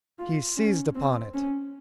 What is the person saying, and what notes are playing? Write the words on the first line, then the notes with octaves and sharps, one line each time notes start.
He seized upon it.
F4
C#4
C4
C#4